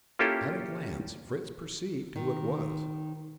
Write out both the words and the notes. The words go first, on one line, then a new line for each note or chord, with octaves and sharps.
At a glance Fritz perceived who it was.
A#3 C#4 E4 F4 G4 A4
D#3